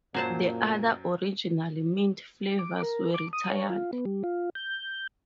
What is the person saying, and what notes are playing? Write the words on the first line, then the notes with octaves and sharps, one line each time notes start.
The other original mint flavors were retired.
F#2 A#2 F#3 C5 A5
D6
A#4
D6
D#6
C#5
F4
B3
G3
F4
G6